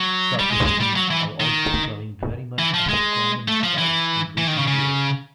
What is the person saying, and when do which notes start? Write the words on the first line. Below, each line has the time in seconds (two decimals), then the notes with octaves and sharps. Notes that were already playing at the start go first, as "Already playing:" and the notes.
Subdivisions are also becoming very much of a common sight in recent years.
Already playing: F#3
0.39 G3
0.51 G#3
0.65 G#3
0.81 G3
0.96 F#3
1.11 E3
1.40 D#3
2.59 E3
2.74 F3
2.89 G#3
3.48 A3
3.63 F3
3.78 E3
4.38 E3
4.47 D#3
4.57 C#3
4.67 C#3